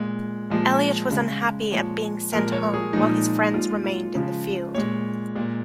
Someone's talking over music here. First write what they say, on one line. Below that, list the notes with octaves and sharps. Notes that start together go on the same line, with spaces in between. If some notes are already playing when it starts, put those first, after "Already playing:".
Elliott was unhappy at being sent home while his friends remained in the field.
Already playing: A#2 G#3
A#2 F3 G#3
C#3 G#3
A#2 F3 G#3 C#5
A#2 F3 G#3 A#4
C#5
G#4
A#2 F3 G#3 D#4
A#2 G#3 F4
F4
C#3 F3 G#3
A#2 G#3 C#5
A#2 G#3